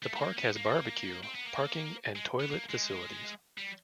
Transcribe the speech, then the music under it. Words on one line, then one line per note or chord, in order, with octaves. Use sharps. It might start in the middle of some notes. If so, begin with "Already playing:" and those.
The park has barbeque, parking and toilet facilities.
A3
A3
A#3
B3
A#3
C4
B3
A#3
G#3
B3
A#3
G#3
G3